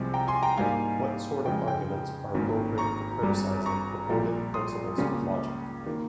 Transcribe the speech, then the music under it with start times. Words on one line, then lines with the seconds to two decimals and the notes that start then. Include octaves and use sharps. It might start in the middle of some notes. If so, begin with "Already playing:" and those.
What sort of arguments are appropriate for criticising purported principles of logic?
Already playing: C2 C3 F3 G#3
0.14 G5 A#5
0.28 G#5 C6
0.43 G5 A#5
0.57 G#2 G3 A#3 D#4 F5 G#5
1.46 F2 C#3 G#3 G5
1.68 G5
2.34 G#1 G#2 D#3 A#3 C#4
2.78 A#5 C#6
3.22 G#1 G2 G3
3.66 A#5 C#6
4.10 A#1 A#2 G3
4.54 C6 D#6
4.98 C#2 C#3 G3 A#3 C#4
5.86 D#3 A#3